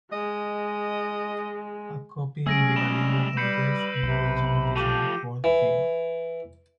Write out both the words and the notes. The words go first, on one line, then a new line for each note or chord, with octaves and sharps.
A copy in the Galleria Borghese includes an additional fourth figure.
G#3 D#5
F#3 G#3 A3 C#4 G#4 E6 A#6 D7
G3 D#5 E7
G3 B4 G6 C7 C#7
B1 C3
F3 A3 G4 D#7
E3